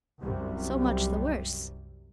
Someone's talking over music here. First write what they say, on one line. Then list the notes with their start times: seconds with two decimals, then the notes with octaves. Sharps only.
So much the worse!
0.21 C2 F#2 C3 G3